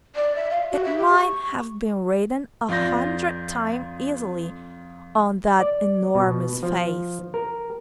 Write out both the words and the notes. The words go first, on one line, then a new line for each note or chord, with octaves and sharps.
It might have been written a hundred times, easily, on that enormous face.
D5
E5
F5
F#4
E5
G4
C#6
F2 F4 D5 G6 A#6
D5
B2
F3
A#4